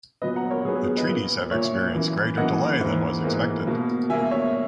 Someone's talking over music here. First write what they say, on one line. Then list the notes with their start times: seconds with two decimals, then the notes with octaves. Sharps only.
The treaties have experienced greater delay than was expected.
0.22 A#2 F#3 B3 B4 D#5
0.36 F#5 A#5
0.51 A#4 C#5
0.65 A#2 F#3 B3 G#4
0.76 G#4
0.87 G#4
0.97 B4 D#5
1.08 A#2 A#3
1.51 A#2 A#3 C#5 E5
1.94 F#2 E3 A#3
2.37 F#2 E3 A#3 D#5 F#5
2.80 G#2 E3 A#3
3.24 G#2 E3 A#3
3.67 B2 A#3
4.10 B2 E5 G#5
4.13 A#3
4.31 C#5 E5